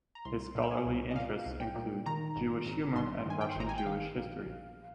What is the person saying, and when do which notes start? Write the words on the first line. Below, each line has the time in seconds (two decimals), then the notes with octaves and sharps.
His scholarly interests include Jewish humour and Russian Jewish history.
0.15 A#5
0.25 C2 C6
0.55 A#2
0.62 G5
0.71 G#5
0.86 C2
1.11 D#5
1.15 A#2 F5
1.46 C2
1.60 G5
1.75 A#2
2.06 D#3 A#5
2.36 G#1
2.66 G#1
2.96 G2 C6
3.26 D#3 G#5
3.41 G5
3.52 C6
3.56 G#1 A#5
3.69 G#5
3.78 G5
3.86 D#3 F5
4.16 A#1
4.46 A#1